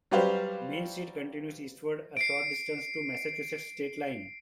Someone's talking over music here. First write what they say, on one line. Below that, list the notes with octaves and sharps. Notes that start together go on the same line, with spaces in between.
Main Street continues eastward a short distance to the Massachusetts state line.
F#3 G3 G4 B4 C5 F5
C7 D7